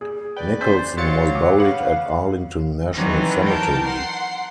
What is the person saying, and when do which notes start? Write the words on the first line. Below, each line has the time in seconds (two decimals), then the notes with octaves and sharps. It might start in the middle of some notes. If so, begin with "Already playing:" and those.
Nicholson was buried at Arlington National Cemetery.
0.01 G3 G#4
0.37 B4 D5 G5
0.61 C#4 C5 G6 B6
0.97 F#3 F5 C6 A6 C#7
1.35 D6
1.58 C#3 B4 C#5 F5 F#5
2.93 D#3 E3 F#3 G3 C4 C#4
3.44 A#4 G5 A5
3.85 F#5 C6